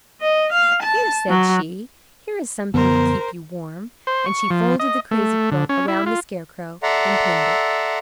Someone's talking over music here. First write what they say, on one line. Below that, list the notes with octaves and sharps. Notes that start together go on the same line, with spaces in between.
"Here," said she, "here is something to keep you warm," and she folded the crazy quilt around the Scarecrow and pinned it.
D#5
F5
A5
F#3
F#2 D3 F3 B3 A#4 C5
C5
C#6
F3
D#5
A3
D3
C#4
E4
F4
A4 D5 E5 F#5 A#5 C6